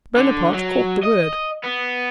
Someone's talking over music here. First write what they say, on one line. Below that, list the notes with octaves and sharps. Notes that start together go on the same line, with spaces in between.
Bonaparte caught the word.
D3
F#3
D#5
B3